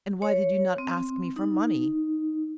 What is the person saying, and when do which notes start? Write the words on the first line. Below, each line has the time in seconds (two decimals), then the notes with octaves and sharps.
"And why did you not ask me for money?"
0.22 C#5
0.78 C4
1.36 D#4